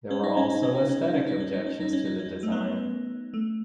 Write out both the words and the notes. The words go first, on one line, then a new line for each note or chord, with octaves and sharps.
There were also aesthetic objections to the design.
C#4
D#4
C#4
D#4
C#4
D#4
C#4
D#4
C#4
D#4
C#4
D#4
C#4
D#4
C#4
D#4
C#4
A3
B3
A3